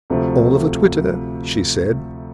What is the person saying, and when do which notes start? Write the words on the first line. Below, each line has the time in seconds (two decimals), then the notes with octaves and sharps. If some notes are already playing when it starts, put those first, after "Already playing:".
"All of a twitter," she said.
0.10 D2 C3 F3 A3